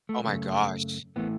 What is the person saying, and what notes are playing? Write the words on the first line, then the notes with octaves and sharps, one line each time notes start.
Oh my gosh.
A3
F#2 C#3 A3
A2 E3 A3 B3